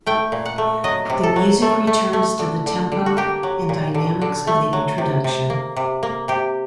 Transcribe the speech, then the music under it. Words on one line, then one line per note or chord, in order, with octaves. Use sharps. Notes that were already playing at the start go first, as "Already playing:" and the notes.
The music returns to the tempo and dynamics of the introduction.
A3 G5
A#2
F#5
A3
F#3 D#5
C3
A4
F#3
A3 A4
A3
A3
D3
D3
D3
F#4
A#3 G4
F#3
A#2
D3
D3
A3
F#3
C3
C3
A#3
C3
A#3
C3 G4